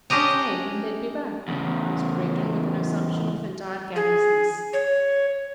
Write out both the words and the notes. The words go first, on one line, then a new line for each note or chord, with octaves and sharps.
"Say when they'd be back?" asked Breton, with an assumption of entire carelessness.
C#4 D4 G4 D#5 A#5
E2 C#3
G#4
C#5